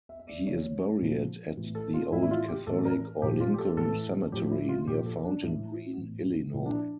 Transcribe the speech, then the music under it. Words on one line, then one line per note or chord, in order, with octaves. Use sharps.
He is buried at the Old Catholic or Lincoln Cemetery near Fountain Green, Illinois.
E5
E5
D5
C#3 E3 C#5
A#2 F3
A2 E3
A4
F4
A2 E3 E4
E4
F4
G4
A2 E3 A4
A#4
A#2 F3 G4
F4
G4
A4
A2 E3 A4
A2 F3 G4
E4
F4
A#2 F3 G4
A4
D4
A2 E3 E4
A2 E3
A#2 F3 E4
D4